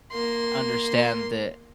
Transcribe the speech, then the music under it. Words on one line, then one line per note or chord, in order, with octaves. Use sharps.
understand that,
A#3 C6